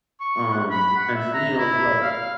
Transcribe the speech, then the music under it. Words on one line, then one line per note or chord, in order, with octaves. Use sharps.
um, and so, you know, like
C#6
F#5
B5
F#5
E5
A#5
E4
F5